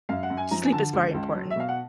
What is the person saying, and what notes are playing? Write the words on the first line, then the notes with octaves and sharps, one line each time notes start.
sleep is very important.
F#2 F5
F#5
F#2
G#5
F3 A#5
G#5
D3 A5
C#2
C#2
F#3
E5
B2 F5
F#5